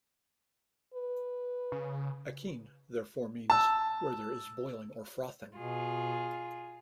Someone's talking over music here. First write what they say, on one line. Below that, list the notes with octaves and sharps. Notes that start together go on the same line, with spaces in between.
Akean therefore means "where there is boiling or frothing".
B4
C#3
A5 E6
B2 F4 G#4